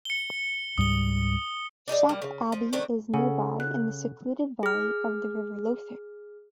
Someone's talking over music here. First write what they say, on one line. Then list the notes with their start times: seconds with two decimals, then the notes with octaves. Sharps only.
Shap Abbey is nearby in the secluded valley of the river Lowther.
0.05 C#7 G7
0.78 C#2 G#2 G3 D#6 G7
1.88 D4 D#4 G#4 D5
2.09 G3 A#3
2.22 C#3
2.52 F3
2.73 D#3 A3 C4 D4
3.14 C#3 A4 F#5 G#5
3.60 F#6
4.63 G#4 F6